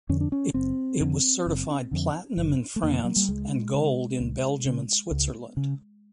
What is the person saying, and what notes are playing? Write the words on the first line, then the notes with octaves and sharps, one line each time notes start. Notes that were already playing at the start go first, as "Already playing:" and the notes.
It was certified Platinum in France and Gold in Belgium and Switzerland.
F2 D3 C#4
D4
C#4
F#1 C4
F2 D3
F#1
F2 D3
F#1
A3
F2 D3 A#3
F#3
G3
C#2 G#3
C#3
C#2
C#3
C#2
C#3